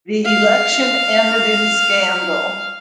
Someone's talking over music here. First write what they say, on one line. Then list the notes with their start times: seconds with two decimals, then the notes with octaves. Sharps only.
The election ended in scandal.
0.25 F5